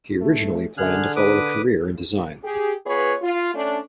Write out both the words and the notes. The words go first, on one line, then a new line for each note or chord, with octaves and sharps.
He originally planned to follow a career in design.
A3
D3 G#4 F6 F#6
B4 D6 D#6
G4 G#4
B3 F4 G#4 B4 C#5
F4
A3 C#4 D4